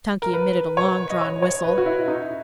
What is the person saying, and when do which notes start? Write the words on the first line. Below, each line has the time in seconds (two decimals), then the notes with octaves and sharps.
Chunky emitted a long-drawn whistle.
0.22 A#4
0.33 B4
0.77 C#5
1.10 D#5
1.21 C#5
1.42 C#5
1.64 B4
1.78 F#4
1.86 E4
2.08 D#4